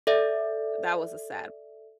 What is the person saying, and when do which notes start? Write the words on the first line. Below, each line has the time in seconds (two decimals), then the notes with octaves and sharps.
That was a sad
0.07 A4 D5 E5